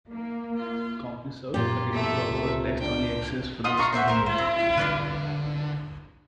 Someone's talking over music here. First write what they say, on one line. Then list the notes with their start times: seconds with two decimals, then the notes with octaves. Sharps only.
Compuserve continued to offer text-only access for those needing it.
0.11 A#3
1.54 F#2 A#2 F4 G4
1.92 E2 A3 E5
2.31 C#2 C3
2.81 D4 G5
3.64 B3 F4 D#5 D#6
3.77 D4 F5 A#5 C#6
3.93 C5 D5 E5 F#5
4.08 A#4 C5
4.26 C5
4.38 C4
4.77 D3 B4 D5 F5